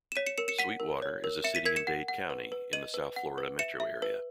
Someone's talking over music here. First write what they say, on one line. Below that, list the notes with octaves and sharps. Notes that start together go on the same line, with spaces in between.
Sweetwater is a city in Dade County, in the South Florida metro area.
E7
C#5 B6 D#7
C#7 E7
A#4 C#7 E7
C#7 E7
F#5 B6 D#7
A#4
C#5
A#4
E5 C#7 E7
B6 D#7
A#4 G#6 B6
C#7 E7
F#5
F#5
B4
B4
D#5 D#7 F#7
B4
F#5
B4
E5 C#7 E7
E5
B4